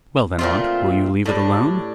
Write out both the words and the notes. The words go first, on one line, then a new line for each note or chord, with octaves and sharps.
"Well then, aunt, will you leave it alone?"
A#2 A3 C4 F4
A2 G3 D4